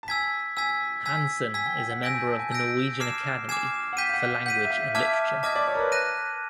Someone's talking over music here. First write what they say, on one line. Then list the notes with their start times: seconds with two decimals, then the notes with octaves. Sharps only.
Hansen is a member of the Norwegian Academy for Language and Literature.
0.03 A5
0.08 G#5 E6 G#6 B6
0.57 G#5 E6 G#6 B6
1.05 G#5 E6 G#6 B6
1.54 G#5 E6 G#6 B6
1.66 G5
1.78 G5
1.91 F#5
2.02 G#5 E6 G6 A#6 D7
2.14 G#5
2.27 A5
2.39 G#5
2.51 E6 G6 A#6 D7
3.00 A5 D6 F6 G#6 C7 E7
3.48 G#5 D6 F6 G#6 C7 E7
3.93 F#5
3.97 G5 G6 B6 D#7
4.09 F5
4.14 F#5
4.29 F5
4.46 F#5 G6 B6 D#7
4.65 E5
4.70 F5
4.94 E5 A5 D6 F6 G#6
5.43 D#5 A5 D6 F6 G#6
5.56 D5
5.68 C#5
5.75 A#4
5.80 B4
5.92 F#6 A#6 D#7